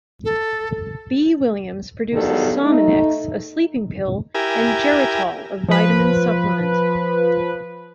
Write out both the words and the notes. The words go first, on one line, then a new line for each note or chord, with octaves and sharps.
B. Williams products Sominex, a sleeping pill, and Geritol, a vitamin supplement.
A4
E2 G2 D#3 F#3 B3 A4
A3 D#4
E4 G4 A#4 G#5
F3 B4